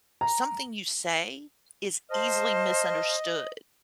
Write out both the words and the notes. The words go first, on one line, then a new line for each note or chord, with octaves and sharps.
something you say is easily misunderstood,
A#5
C5 D#5 F5 A5 F6